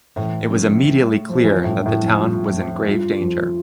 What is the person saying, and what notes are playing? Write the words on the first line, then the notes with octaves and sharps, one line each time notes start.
It was immediately clear that the town was in grave danger.
A2 E3
C#3 F3
E3
G3
A3
F3
G4
E3
F3 F4
A2
G2
D4
A2 E4
F2
G2 F4
F2
G2 F4
F2